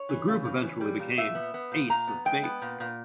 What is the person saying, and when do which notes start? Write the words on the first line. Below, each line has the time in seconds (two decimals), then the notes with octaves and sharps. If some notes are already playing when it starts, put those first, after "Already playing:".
The group eventually became Ace of Base.
Already playing: C#5
0.09 E3
0.27 C#3
0.45 C#3
0.63 E3
0.81 G3
0.99 A#2
1.17 A#2 E5
1.35 B3
1.54 B3
1.72 A#2
1.90 A#2 A#5
2.07 B3
2.25 G#3 G5
2.43 B3
2.62 A#2
2.80 A#2